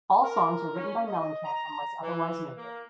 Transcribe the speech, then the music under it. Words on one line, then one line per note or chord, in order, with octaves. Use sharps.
All songs were written by Mellencamp unless otherwise noted.
A#4
C#4
D#5
A#5
E3
A#3